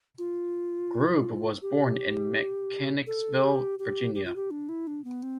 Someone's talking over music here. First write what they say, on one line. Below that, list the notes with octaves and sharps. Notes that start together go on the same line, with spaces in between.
Grubb was born in Mechanicsville, Virginia.
F4
G4
A4
G4
G4
G4
F4
G4
D4
E4
D4
B3
C4